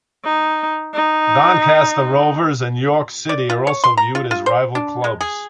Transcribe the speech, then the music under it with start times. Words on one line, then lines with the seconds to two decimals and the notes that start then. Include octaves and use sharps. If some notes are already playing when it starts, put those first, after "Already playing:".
Doncaster Rovers and York City are also viewed as rival clubs.
0.24 D#4
0.94 D#4
3.29 D5
3.50 F4
3.67 C#5
3.84 C6
3.97 A#5
4.15 F4
4.31 F4
4.46 C5
4.75 D4
5.04 G#3
5.21 G#4